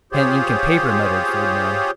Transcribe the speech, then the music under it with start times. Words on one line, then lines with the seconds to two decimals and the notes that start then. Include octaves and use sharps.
"Pen, ink, and paper," muttered Fernand.
0.12 F4 G4 G#4 C5 C#5